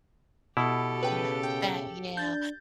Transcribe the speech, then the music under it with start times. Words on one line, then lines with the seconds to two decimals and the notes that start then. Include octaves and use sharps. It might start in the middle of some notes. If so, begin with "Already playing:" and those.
Yeah, that yeah.
0.57 B2 E4 G4 A4
1.03 C#3 B4 G5
1.43 G5
2.17 D4 G6 A6